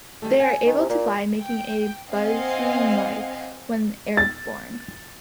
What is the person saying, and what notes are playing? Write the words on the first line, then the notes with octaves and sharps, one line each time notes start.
They are able to fly, making a buzzing noise when airborne.
D#3 G3 A3
F#5 G#5
D#3
C3
A#2 A#3
G5
C4 D#5 F5 F#5 G#5
A6